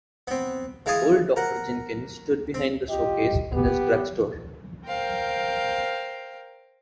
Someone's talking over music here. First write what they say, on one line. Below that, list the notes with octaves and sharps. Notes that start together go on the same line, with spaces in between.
Old Dr. Jenkins stood behind the showcase in his drugstore.
B3 C4
E3 G#3 F5 G#5 A5 D#6
A#4 F#5
C4
F4 G4 D#5
B3 G4
A#4 C5 F5 G5